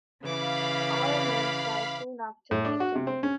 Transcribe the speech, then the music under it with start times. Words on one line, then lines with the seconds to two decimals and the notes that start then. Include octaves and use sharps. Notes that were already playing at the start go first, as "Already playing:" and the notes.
All males die soon after mating.
0.23 C#3 E3 F5 B5 D6
2.51 A2
2.65 D4
2.80 F#4
2.95 C3
3.07 C4
3.23 C#4